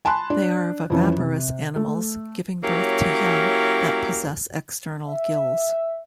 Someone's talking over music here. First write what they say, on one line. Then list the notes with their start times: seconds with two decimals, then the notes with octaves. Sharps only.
They are viviparous animals, giving birth to young that possess external gills.
0.05 G#5 A5 B5 C6 F#6
0.30 D4
0.90 F2 E3 C#4
1.18 C3
1.76 A3
2.63 F#3 A#3 C#4 E4 G4
5.07 E5